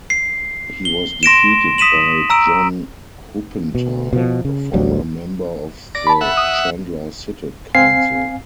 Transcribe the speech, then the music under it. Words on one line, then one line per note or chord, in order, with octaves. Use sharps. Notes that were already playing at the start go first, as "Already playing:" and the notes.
He was defeated by John Huppenthal, a former member of the Chandler City Council.
C7
G7
C6 A#6 D7 E7
D#6 B6 D#7 E7 F#7
A#5 E6 D7
B2
B2 F3
C#3
A1 D2 F#3 G3
D5 A#6
A5 B5
E5 F#5
D#6
C4 F5 G#5 C7